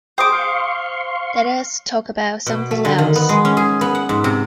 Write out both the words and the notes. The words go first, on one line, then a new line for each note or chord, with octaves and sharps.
Let us talk about something else.
G#4 C5 G5 D6 D#6
F5 C6 C#6
B2
A3
D3
D#3
B3
G#3
C#4
G#4
B3
F#5
G#2
C3